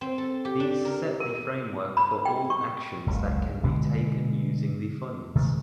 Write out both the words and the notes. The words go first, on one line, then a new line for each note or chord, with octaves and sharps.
These set the framework for all actions that can be taken using the funds.
C4
A4
G4
D4
A#4
A#4
B5
G5
C#6
F#1 C#2
B2 D3 G#3 B3
C3 D#3 G#3 A3